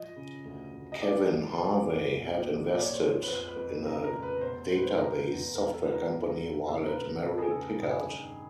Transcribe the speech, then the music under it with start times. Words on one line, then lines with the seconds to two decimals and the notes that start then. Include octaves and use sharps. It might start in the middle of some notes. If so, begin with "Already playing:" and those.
Kevin Harvey had invested in a database software company while at Merrill Pickard.
Already playing: F3 D#5
0.16 C#3
0.45 D2
0.74 D2
0.92 D#5
1.02 F3 D5
1.30 F3
1.58 F#1
1.87 F2
2.15 B1
2.44 A#2
2.71 B1 D5
2.82 C#5
2.94 C5
3.00 F3 C#5
3.23 B4
3.28 F2 C5
3.48 B4
3.56 F2
3.85 C#3 A#4
4.04 A#4
4.13 F1
4.22 B4
4.41 B2 C5
4.70 B2 C5
4.78 B4
4.85 C5
4.98 B2 A#4
5.26 E2
5.55 E2 A#4
5.74 A4
5.83 F3 B4
5.92 A#4
6.11 E2
6.40 E2
6.68 C#3 A4
6.83 A#4
6.87 B4
6.97 F1
7.06 A#4
7.24 F1 A4
7.38 G#4
7.50 C#3 A4
7.81 G2 G#4
8.10 D#3